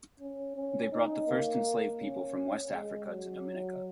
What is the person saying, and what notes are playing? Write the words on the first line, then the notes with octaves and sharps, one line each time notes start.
They brought the first enslaved people from West Africa to Dominica.
C#4
C#4
D#4
A#3
C#4
G#3
F#3